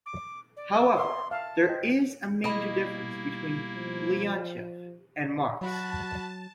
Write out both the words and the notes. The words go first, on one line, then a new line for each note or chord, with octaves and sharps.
However, there is a major difference between Leontief and Marx.
D6
D5
E5 C6
E5 F5 A5
C5 D#5 G5
B2 G3 A#3 E4 D#5 B5
F3
F#3 F#4 A5 B5